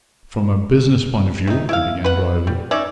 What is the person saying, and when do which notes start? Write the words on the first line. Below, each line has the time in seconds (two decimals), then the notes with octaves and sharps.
"From a business point of view----" I began dryly.
1.47 C3 D#4
1.69 E4 E5 F5
2.04 B4 F#5
2.47 G3
2.71 C#4 D#4 D5 E5